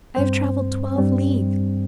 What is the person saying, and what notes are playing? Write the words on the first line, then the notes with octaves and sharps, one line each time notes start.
I have travelled twelve leagues.
G2 G3 C4 C5
G2 G3 C4